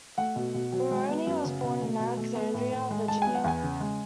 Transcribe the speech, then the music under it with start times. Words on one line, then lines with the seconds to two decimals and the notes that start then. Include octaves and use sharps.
Mulroney was born in Alexandria, Virginia.
0.18 A3 F#5
0.36 B2
0.54 B2
0.72 F#3
0.91 G#3
1.09 B3
1.27 F#2
1.45 C#3
1.63 B2
1.82 A3
1.99 B2
2.17 A3
2.35 B3
2.54 A2
2.72 A2
2.90 G#3
3.08 G#3 A5
3.22 B3 G#5
3.35 F#5
3.44 E2 G#5
3.63 C#3
3.81 G#3